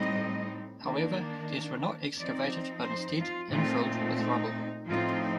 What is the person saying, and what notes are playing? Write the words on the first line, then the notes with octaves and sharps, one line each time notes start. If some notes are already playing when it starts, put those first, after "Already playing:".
However, these were not excavated but instead infilled with rubble.
Already playing: A2 G3 C4 D#4 D#5
D#3 A#3 D4
F3 C4 D#4 D5
C5
F4
A#2 A3 C4 D#4 F4
D#4
A2 F3 C4 D#4 F4